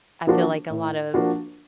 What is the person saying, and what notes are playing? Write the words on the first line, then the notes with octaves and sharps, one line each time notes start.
I feel like, a lot of
F3 A#3 D4 F#4
A2
F3 A#3 D4 F#4